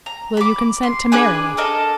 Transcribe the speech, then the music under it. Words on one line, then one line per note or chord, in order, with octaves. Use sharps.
"Will you consent to marry me?"
A#5
B5 D6
C6
D4 G#4 B4 G#5
A4 A#4 D#5